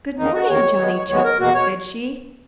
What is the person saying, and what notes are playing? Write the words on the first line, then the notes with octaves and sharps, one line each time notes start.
"Good morning, Johnny Chuck," said she.
E2 D#3 A#3 D#4
F#4
E2 D#3 A#3 C#5
D#2 D#3 G#3 B3
D#2 D#3 G#3 B3 C#5
A#4
E2 B2 A#3 F#4
C#5